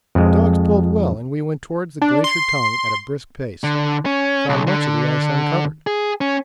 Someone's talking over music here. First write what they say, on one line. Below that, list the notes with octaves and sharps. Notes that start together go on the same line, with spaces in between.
The dogs pulled well, and we went towards the Glacier Tongue at a brisk pace; found much of the ice uncovered.
F2 G#3
D4
C6
D3
C#4
B1
D3
G#4
C#4